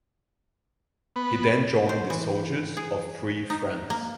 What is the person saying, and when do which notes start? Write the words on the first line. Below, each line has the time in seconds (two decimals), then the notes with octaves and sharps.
He then joined the soldiers of Free France.
1.16 B3
1.89 C5
2.10 E3
2.77 G#4
3.50 D#4
3.90 A#3